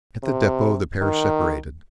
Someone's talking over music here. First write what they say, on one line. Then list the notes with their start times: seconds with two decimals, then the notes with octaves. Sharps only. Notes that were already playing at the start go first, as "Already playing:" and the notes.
At the depot the pair separated.
0.23 C3
1.01 D#3